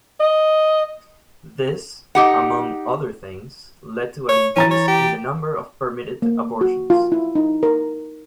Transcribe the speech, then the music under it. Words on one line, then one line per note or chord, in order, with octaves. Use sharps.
This, among other things, led to an increase in the number of permitted abortions.
D#5
D#4 G4 F#5
C#5
E3 C#4 A#5 A6
C#5
G4
A#3
F#4
F4
E4
D#4
A#4